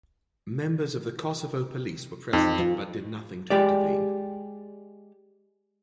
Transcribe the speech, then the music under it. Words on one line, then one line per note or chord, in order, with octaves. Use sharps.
Members of the Kosovo Police were present but did nothing to intervene.
F2 D#4
F3
G#3 G4 D5